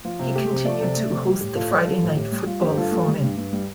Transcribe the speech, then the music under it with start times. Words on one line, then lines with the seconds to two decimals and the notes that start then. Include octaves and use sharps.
He continued to host the Friday night football phone-in.
0.05 F3 F4
0.19 C3
0.35 A3 G4
0.51 C3
0.65 F3 A4 D5
0.81 C3
0.96 A3
1.11 C3
1.25 G3 G4
1.41 A2 G4
1.55 A2 F4 A4
1.71 G3 A4 D5
1.86 G3 F4 A4
2.02 A2
2.09 A4
2.16 A2 G4
2.32 G3
2.46 G3 F4
2.61 G2 G4 C5
2.77 G2 F4 A4
2.92 G3 F4 A4
3.08 G3
3.23 G2
3.37 G2
3.53 G3